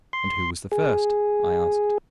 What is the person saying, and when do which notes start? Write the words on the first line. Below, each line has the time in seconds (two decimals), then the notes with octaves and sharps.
"And who was the first?" I asked.
0.13 C6
0.72 G#4